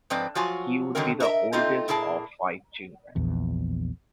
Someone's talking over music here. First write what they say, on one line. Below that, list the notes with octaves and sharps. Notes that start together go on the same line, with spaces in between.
He would be the oldest of five children.
G#2 F3 C4 B4 D5
F3 F#3 F4 F#4 G#5
D3 D#3 F#3 G#3 C4 A#4
D#4 E4 A#4 D#5 E5
A3 C4 D#4 F4 D#5
A#2 A#3 E4 G#4 B4 A5
A#1 E2